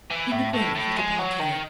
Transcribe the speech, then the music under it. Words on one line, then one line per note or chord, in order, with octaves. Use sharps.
"In the grove of the parquet."
E3
A2
A2
A2
G#3
F#3
D#3